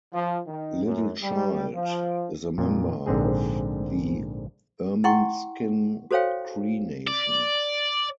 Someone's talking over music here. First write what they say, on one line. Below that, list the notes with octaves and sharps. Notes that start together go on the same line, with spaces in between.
Littlechild is a member of the Ermineskin Cree Nation.
F3
D#3
F#2
G3
F3
F2 A#2
A#1 G#2 D3 C4 G#4
E4 F#5 G5 C6 C#6
F#4 A4 C5 C#5 F5 G5
D5